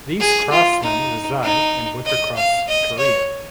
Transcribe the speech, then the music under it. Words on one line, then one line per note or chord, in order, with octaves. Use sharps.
These craftsmen reside and work across Korea.
G#4
F4
D#4
D#4
D#5
F5
D#5
C#5